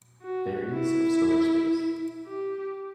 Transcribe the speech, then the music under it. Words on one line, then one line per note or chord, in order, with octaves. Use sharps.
There is of storage space.
F#4
E4
G4